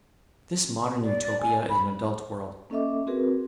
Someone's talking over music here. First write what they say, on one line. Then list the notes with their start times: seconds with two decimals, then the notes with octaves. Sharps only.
This modern Utopia is an adult world.
1.03 D5
1.24 D5
1.41 G#5
1.69 B5
2.70 A#3 C#4 A4 D#5 E5 D6
3.07 C4 F#4 G#4 A#4 B4